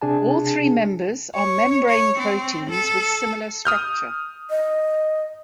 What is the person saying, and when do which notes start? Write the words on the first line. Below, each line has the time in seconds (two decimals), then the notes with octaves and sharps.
All three members are membrane proteins with similar structure.
0.01 C3 D4 G#4 G#5 A5
1.35 C#5
1.89 C#5
2.19 C4
2.70 A4
3.65 D#6 F6 G6
4.50 D#5